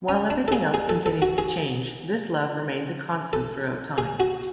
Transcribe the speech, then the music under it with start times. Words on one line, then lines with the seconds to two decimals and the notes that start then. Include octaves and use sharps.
While everything else continues to change, this love remains a constant throughout time.
0.08 C#4
0.30 D4
0.48 A4
0.52 G#4
0.74 G#4
0.89 A4
1.06 A4
1.22 F#4
1.38 G#4
3.33 A4
3.98 G#4
4.20 F#4